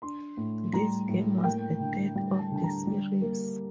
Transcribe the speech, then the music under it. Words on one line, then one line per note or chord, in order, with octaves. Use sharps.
This game was the third of the series.
D4 C6
A2
G3 A#5
A2
A#3 G5
D3
G3 G5
A5
D3 A5
A#5
G3
A#3